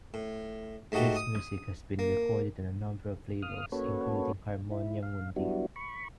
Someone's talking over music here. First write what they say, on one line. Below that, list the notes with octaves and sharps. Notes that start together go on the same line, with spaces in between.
His music has been recorded on a number of labels, including Harmonia Mundi.
A2
G#2 A3 D#4 F#4 G4
D#6
A#3
F5 D#6 F6
A#3 C#4 F#4 A4 B4 C#5
E4
F5
F#3 G3 B3 D4 E4 F#4
B5 C#6